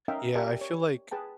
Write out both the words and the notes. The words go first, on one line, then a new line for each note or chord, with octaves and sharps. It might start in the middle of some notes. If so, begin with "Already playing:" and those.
yeah, I feel like
C#4 D#4 A#4 E5 F5 G5
G4 A#4 D5 E5 G#5 A5
C#5
G#4 B4 G5 A5